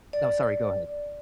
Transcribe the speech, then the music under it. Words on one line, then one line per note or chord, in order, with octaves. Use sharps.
No, sorry; go ahead.
D5